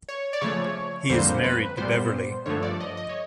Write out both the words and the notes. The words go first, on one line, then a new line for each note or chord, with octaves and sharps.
He is married to Beverly.
C#5
D5
C#3 F3 A3 C#5
F2 D3 G3 A#3 C5
B4
A#2 G3 B3 C5
G2 D3 F3 A3 C#5
D5
D#5
D#5
C#5